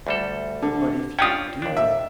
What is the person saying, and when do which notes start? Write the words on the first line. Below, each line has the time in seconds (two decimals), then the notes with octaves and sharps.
but if you do,
0.07 D2 G3 A4
0.62 D3
1.19 C#4 D4 F4 G5 D#6
1.62 D#2 D4
1.77 E5